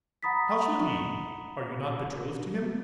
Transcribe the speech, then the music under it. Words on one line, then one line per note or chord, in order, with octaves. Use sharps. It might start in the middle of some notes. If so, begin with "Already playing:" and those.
How should he? Are you not betrothed to him?
F#5 A#5 B5 D#6 A6 B6